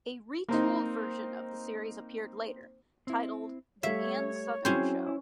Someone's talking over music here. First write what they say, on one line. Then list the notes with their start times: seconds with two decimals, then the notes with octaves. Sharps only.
A retooled version of the series appeared later, titled "The Ann Sothern Show".
0.49 A#3 C4 D#4
3.07 C4 E4
3.83 G3 A3 C#5 E5 F5
4.65 F#3 C4 C#4 E4 F#4 G#4 C5 G5
5.07 E4